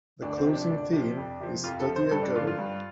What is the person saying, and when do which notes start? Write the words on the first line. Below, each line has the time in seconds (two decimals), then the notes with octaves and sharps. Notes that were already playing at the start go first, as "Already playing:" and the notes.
The closing theme is Study A Go!
0.22 D2 D4
0.38 C4
0.46 C3 F3
0.54 D4
0.70 D2 D4
0.93 C3 F3
1.17 F2
1.40 C3 F3
1.64 F2 F4
1.80 A4
1.88 C3 F3
1.96 C5
2.11 G2 A4
2.23 D4
2.35 D3 F3 F4
2.47 F4
2.59 G2